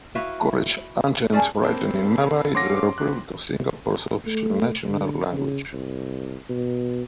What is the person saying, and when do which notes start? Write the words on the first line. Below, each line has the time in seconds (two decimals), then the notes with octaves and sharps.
The College Anthem is written in Malay, the Republic of Singapore's official national language.
0.15 E4 F#4 B4 E5 F5
1.32 C#4 G#4 D5 A5
1.63 A#3 C4 A4 F5 A5 B5
2.55 A3 C#4 A4 F5 F#5 C6 D6 A#6
2.98 B3 C4 F#6
4.27 A3
4.88 D3
5.32 C#3
5.73 C2
6.49 B2